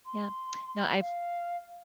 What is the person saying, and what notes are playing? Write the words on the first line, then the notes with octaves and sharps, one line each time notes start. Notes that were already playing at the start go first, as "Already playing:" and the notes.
Yep. No, I've
C6
F5